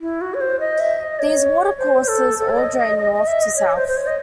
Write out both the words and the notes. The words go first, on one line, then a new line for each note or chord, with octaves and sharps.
These watercourses all drain north to south.
E4
F#4
C#5
C5
D#5
E5
D#5
C#5
C5
C5
A4
A4
C#5
D#5
D#5
D#5
D#5
E5
D#5
C#5
C5
C5
C#5
D#5